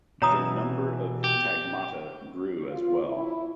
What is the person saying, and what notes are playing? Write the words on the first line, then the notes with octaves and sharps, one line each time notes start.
The number of tagmata grew as well.
B2 E3 C#5 A#5 D#6
G4
F4
E4